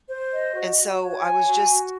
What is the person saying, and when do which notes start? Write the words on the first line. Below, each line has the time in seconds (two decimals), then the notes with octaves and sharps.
and so I was just
0.08 C5
0.31 D#5
0.54 F#4
0.77 F#4
1.00 C#5
1.22 G#5
1.46 F#4
1.68 F#4